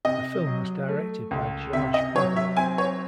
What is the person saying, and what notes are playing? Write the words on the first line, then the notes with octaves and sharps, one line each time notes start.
The film was directed by George Pavlou.
C3 D#5
F#3
A3
C#2
C3 E5
D#5
F#3 C#5
E5
C4 G#5
C#5